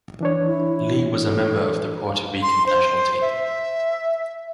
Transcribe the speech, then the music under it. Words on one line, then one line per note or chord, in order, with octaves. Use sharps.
Lee was a member of the Puerto Rican national team.
E3 D4 C#5
E4
A4
F5
C6
C5
E5